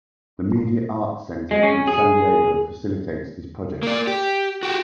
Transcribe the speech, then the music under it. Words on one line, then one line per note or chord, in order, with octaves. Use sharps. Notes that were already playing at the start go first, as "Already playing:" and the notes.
The Media Arts Center in San Diego facilitates this project.
G#3
C#4
G#4
A#3 D5
G4
F#4 G4